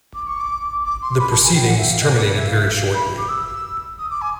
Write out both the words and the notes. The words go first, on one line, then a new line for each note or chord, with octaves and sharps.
The proceedings terminated very shortly.
D6
C#6
D6
D6
C6
B5
A5
G#5
G5
F#5
E5
F5
D#5
C#5
B4
E5
F5
E5
F5
B5
D6
E6
D#6
D6
G#5